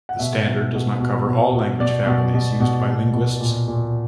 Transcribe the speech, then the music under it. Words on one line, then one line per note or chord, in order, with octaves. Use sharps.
The standard does not cover all language families used by linguists.
F#5
B2 E5
B2
B2
B2
B2
B2
B2 D5
B2
B2
B2
B2
B2
A#2
A#2